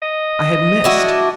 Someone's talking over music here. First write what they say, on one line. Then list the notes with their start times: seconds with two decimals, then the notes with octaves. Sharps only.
I had missed!
0.02 D#5
0.84 D4 E4 F#4